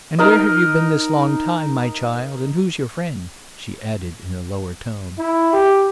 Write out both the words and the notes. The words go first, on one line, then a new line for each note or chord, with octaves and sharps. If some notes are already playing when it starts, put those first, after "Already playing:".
"And where have you been this long time, my child; and who's your friend?" she added in a lower tone.
D#4 A#4 D#5
E4
G4